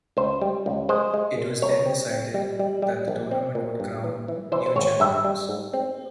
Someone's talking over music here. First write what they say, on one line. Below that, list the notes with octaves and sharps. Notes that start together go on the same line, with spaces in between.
It was then decided than the tournament would crown new champions.
C#2 C5
G3
C#2
G#3 C5
G#3
A#2
C2 C#5
C4
C4
G3
G3
G3
A#1
C4
A#2
G2
E3
E3
E3 C5
C5
G#1 C#5
G2 E5
G3
G#2
C4